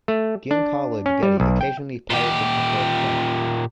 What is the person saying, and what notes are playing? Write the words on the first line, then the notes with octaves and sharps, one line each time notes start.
Giancarlo Baghetti occasionally piloted a fourth car.
A3
D4
C#4
G3
B1
G5
A#2 G4